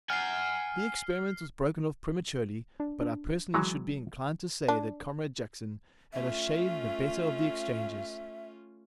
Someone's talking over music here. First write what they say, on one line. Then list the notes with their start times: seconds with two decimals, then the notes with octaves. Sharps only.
The experiment was broken off prematurely, but I personally should be inclined to say that Comrade Jackson had a shade the better of the exchanges.'
0.10 F#5 G#5 F6 C7
2.80 D4
3.01 D4
3.54 E3 F#3 G#3
4.68 D4
6.13 A3 C#4 F4 E5